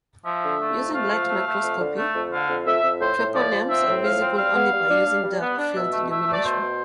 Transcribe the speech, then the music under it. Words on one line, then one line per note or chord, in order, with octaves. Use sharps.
Using light microscopy, treponemes are visible only by using dark field illumination.
F3 E5
D3
A3
F2
A3 F5
F3
A3
A3
F2
D3
A3
F2
D3 F5
F2
F2 E5
F2
A2 C5
A2
F3 D5
F3
C4 E5
A2
F3 F5
C4
G3 F5
B3
G3
D4
D4
G3
B3
D4
B2 E5
A3
A3 E5
A3
D5
B2 C5
B2